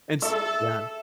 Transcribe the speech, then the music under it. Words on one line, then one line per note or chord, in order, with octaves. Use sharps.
It's yeah.
A4 E5